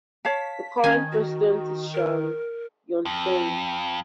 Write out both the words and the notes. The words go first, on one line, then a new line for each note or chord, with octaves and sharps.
The current president is Shang Yongfeng.
C#5 F5 A5 B6
D#3 C#4 G#5
F#4
A#4
F2